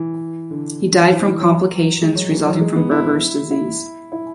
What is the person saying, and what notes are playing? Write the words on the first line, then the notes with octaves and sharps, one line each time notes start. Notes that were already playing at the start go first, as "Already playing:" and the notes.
He died from complications resulting from Berger's disease.
Already playing: E3
D3
E3
E3
F#3
G#3
F#3
E3
F#3
G#3
B3
E4
E4
E4